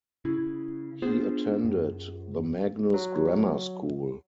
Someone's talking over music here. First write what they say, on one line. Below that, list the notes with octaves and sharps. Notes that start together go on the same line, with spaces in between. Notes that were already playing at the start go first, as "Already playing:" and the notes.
He attended the Magnus Grammar School.
C#3 E4
B3 D4 F4 G#4 C5
F#2
F#3